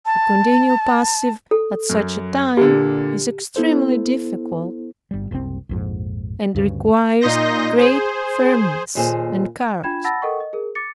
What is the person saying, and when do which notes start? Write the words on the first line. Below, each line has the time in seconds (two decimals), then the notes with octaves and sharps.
To continue passive at such a time is extremely difficult, and requires great firmness and courage.
0.06 A5
1.51 A4
1.90 F#2
2.57 A#2 D3 G4
3.56 B3 E4 A4 C5
5.11 G1 G3
5.31 F#1 C2 B2 C4
5.69 A#1 F2 G#2
6.55 D2 G2 C#3
7.21 A#2 D#4 D#5 C6 G6 A#6
7.78 G#4 C5
8.95 D#2 A#2 G#4 A4 C5
9.83 D4 F4 G5 B5 G#6 E7
10.04 F#5 A5 B5 E6 A6 A#6
10.22 A4 A#4 D#5 F#5 G5 C#6
10.40 D#5
10.53 G#4 A#4
10.75 D6 A6 C#7